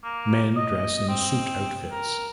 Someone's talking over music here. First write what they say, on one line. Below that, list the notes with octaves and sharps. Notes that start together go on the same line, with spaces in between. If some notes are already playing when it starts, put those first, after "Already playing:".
Men dress in suit outfits.
A#3
D#5
C4
A#4